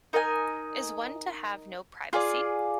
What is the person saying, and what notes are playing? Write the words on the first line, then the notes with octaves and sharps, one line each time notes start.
Is one to have no privacy?
D#4 A#4 D#5 G#5
F4 G#4 D5